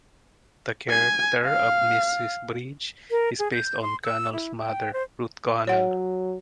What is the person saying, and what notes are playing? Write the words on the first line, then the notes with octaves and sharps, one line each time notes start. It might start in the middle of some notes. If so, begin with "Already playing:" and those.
The character of Mrs. Bridge is based on Connell's mother, Ruth Connell.
G#5
F5
A#4
G#4
G6
C6
E6
E4
G5
C5
F#3 C#5 F#5